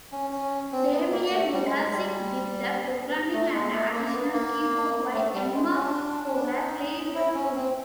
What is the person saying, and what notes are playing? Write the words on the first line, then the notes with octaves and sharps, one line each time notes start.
Damian LeGassick did the programming and additional keyboard while Emma Fowler played the flute.
C#4
C#4
C4
B3
A#3
A3
G3
G#3
G#3
G3
A3
G#3
A3
A#3
B3
A#3
A3
G3
G#3
C#4
D4
C#4
D4
D#4
E4
C#4
C4